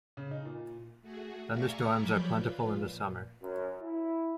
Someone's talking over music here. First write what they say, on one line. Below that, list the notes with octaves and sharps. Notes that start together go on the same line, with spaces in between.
Thunderstorms are plentiful in the summer.
C#3
D#4
A#2
A3 F#4 G#4
D5 E5 F5 G#5 A#5 C#6
F3 F#3 C#5 D5 B5 G6
F4 B4
A#2
F#2
E4